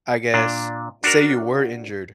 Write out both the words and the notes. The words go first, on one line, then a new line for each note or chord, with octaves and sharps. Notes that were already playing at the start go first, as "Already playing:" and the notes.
I guess say you were injured,
A#2 D4
D4 F#4 A#4